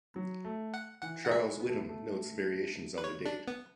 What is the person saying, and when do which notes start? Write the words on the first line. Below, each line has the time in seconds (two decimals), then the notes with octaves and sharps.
Charles Whitham notes variations on the date.
0.16 F#3
0.45 A3
0.74 F#5
1.02 E3 F#5
1.25 F#5
1.31 G#3 E5
1.60 B3
1.69 A3
1.78 B3
1.89 A3
2.98 B4
3.04 C#5
3.25 D4
3.48 B3